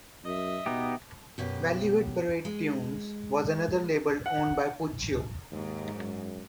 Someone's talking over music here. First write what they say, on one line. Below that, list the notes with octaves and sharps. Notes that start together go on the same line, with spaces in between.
Value Hit Parade Tunes was another label owned by Puccio.
F#2 D#5 E5
B2 B3 D#4 G4
F#2 B2 G4
G#3
F#5
D#2 G#2
F#2